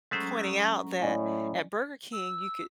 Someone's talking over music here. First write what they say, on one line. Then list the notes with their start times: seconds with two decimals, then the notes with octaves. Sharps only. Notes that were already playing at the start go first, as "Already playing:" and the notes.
pointing out that at Burger King, you could
0.11 F#3 G#3 A3 C#4 C5 A#5
1.02 A2 D5 D#5 G#5
2.13 E6